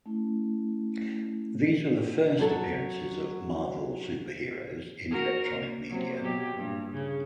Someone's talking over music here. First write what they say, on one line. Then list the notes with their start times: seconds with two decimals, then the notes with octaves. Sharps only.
These were the first appearances of Marvel superheroes in electronic media.
0.06 A3 C#4 E4
2.39 F#3 A4
5.11 F#4 A#4
5.50 A#3
5.90 C3 F#3
6.20 B2 F#3 G4
6.54 G2 A#2
6.92 C#3